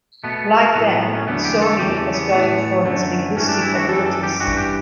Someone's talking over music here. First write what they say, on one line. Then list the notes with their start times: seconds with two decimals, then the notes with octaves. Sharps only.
Like them, Soni was valued for his linguistic abilities.
0.24 B2 A3 B3
0.58 B3
0.75 A2 F#3 A3 B3
0.88 A3
1.01 B3
1.15 C#4
1.27 E2 D3 F#3 A3 B3
1.45 G4
1.62 A4
1.79 E2 C#3 G3 G4
1.97 A3
2.14 B3
2.31 A2 E3 A3
2.84 F#2 D3 A3
3.36 G2 E3 A3 C#4
3.49 D4
3.61 E4
3.75 F#4
3.89 F#2 E3 G3 A4
4.06 A4
4.23 G4
4.40 G2 E3 G3 F#4
4.57 G4